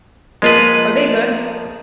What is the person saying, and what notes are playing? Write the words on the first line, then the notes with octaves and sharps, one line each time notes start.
Are they good?
F3 G#3 A#3 F4 B4 D#5